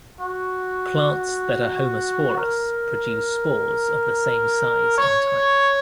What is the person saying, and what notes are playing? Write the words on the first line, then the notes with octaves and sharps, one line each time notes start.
Plants that are homosporous produce spores of the same size and type.
F#4
A#4
C#5